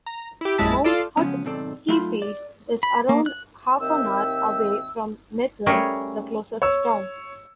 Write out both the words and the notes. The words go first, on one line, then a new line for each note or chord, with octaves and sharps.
Mount Hutt skifield is around half an hour away from Methven, the closest town.
A#5
E4 G4
A#1 F#2 G#3 E4 A5 B6
F4 A4 D5
C#3 F3 F#3 G#3 B3 C#4
B1 G#2 D#3 C4 A4 D5
F#3 A3 D#4 F4 B5 C6
D5
B5
A#3
F#6
D#2 D#3 C4 E5 G5 E6
G3 A3 C#4 G#4 A#4 C#5
C#5 E6